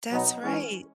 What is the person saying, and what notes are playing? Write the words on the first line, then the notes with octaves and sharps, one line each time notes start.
That's right.
B2 F#3 B3 D#4
E3 G#3 C#4